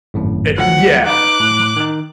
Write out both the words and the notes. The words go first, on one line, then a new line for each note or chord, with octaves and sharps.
It yeah, pr
G#1 F#2 A2
D2 F3 F#3 F#5
D#4 B4 D6 F#6
A2
D#3 D#4